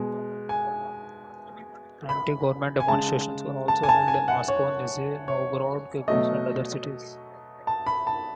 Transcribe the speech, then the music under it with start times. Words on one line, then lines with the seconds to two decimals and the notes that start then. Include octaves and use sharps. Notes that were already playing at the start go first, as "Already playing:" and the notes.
Anti-government demonstrations were also held in Moscow, Nizhny Novgorod, Krasnoyarsk, and other cities.
Already playing: B2 G#3
0.49 G#5
2.09 B5
2.80 G#5
2.88 C#3 G#3 A5
3.68 A5
3.83 G#5
3.89 A5
4.08 G#5
4.28 F#5
4.48 C#5
5.28 C#5
6.08 B2 F#3 A3 D#5
7.67 A5
7.86 B5
8.07 A5